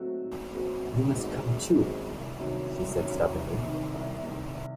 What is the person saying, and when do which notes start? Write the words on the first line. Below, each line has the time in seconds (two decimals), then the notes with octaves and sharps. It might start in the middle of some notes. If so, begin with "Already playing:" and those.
"You must come too," she said stubbornly.
Already playing: G#2 F#3 A3 C4 F#4
0.21 G#2
0.53 F#3 A3 C4 F#4
0.83 F#2
1.13 D#3 G#3 C4 F#4
1.45 F#2
1.76 D#3 G#3 C4 F#4
2.07 C2
2.38 C3 D#3 F#3 C#4
2.68 C2
2.99 C3 D#3 F#3 C#4
3.30 C2
3.61 C3 D#3
3.93 C2
4.23 C3 D#3